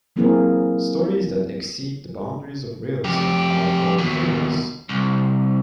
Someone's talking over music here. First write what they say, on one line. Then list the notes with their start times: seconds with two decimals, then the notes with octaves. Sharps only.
Stories that exceed the boundaries of "realism" are called "fables".
0.16 F#3 A#3 C4 E4 G#4 A#4
3.04 F2 G4
3.99 D#2 B2
4.89 C2